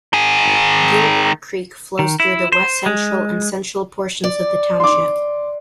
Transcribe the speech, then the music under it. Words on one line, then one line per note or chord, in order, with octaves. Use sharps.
Gilmore Creek flows through the west-central and central portions of the township.
D#3 G#4
D#3
E4
C5
G#3
D5
C6 D6